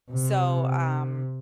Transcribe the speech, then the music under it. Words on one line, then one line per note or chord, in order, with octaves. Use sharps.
so, um
C3